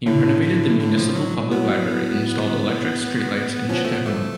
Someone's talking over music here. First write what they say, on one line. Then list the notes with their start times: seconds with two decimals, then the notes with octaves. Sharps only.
He renovated the Municipal Public Library and installed electric street lights in Chittagong.
0.06 A2 D3
0.42 D3
0.79 D3
0.97 F3
1.15 F#3
1.51 F#3 B3
3.69 F3 C#4
3.77 B3
3.85 A3
3.93 B3
4.05 A3